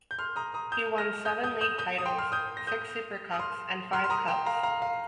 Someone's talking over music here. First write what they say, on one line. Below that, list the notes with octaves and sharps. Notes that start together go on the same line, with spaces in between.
He won seven league titles, six supercups and five cups.
G6
C6 F6
A#5 D#6
A#5 D#6
D#6 G6
F6 A#6
D#6 G6
D#6 G6
D#6 G6
D#6 G6
D#6
G5 C6
C6 F6
D#6 G6
A#6
D#6 G6
D#6
C6 F6
C6 F6
C6
A#5 D#6
G5 C6
F5 A#5
F5 A#5
F5